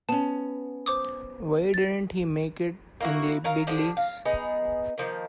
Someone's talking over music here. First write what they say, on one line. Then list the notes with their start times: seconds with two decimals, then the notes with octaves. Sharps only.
Why didn't he make it in the big leagues?
0.09 B3 C#4 A5
0.86 C5 D6 D#6
1.74 A6
3.00 A#3 E4 F#4
3.44 F#3 A#4 F5 A#5
3.67 D3 F3 D4 G4
3.97 F5
4.25 B3 D#4 G#4
4.98 D#3 F3 A#3